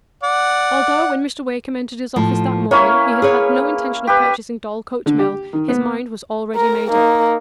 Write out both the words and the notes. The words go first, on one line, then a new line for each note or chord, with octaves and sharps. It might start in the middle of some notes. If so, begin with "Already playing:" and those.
Although, when Mr. Wakem entered his office that morning, he had had no intention of purchasing Dorlcote Mill, his mind was already made up.
D5 F#5
A2 F3
A#3 C#4 E4 C#5
G#4 B4 C#5
G4 B4
D3
G4
D#3
B3
A#4 A#5
A#3 D#4